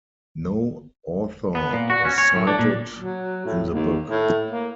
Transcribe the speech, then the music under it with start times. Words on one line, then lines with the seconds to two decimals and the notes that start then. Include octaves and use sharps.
No author was cited in the book.
1.55 B3
1.73 A#2
1.90 F#4
2.05 C#4
2.18 C#5
2.36 A2
2.47 D4
2.59 A#2
2.99 F#3
3.45 A2
3.72 D#2
4.10 A2
4.50 A#3